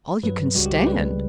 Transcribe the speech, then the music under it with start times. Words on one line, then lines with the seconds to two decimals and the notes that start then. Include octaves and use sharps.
"All you can stand?"
0.23 G2 F#3 B4
0.55 C#2 C#3 G3 F#4
0.66 G4
0.76 G4
0.87 C#2 C#3 G3 B4